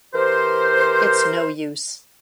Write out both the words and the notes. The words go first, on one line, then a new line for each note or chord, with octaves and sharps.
It’s no use.
E3 G4 A#4 C5